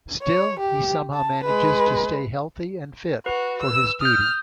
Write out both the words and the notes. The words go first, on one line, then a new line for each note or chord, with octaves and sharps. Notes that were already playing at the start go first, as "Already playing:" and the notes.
Still he somehow manages to stay healthy and fit for his duty.
C#5
G4
A5
G#3 B4
F#4 B4
E6
D#6 F6 G6